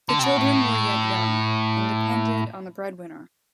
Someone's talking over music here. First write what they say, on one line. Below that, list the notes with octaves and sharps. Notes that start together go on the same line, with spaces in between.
The children were yet young, and depended on the breadwinner.
D3
C3
B2
A2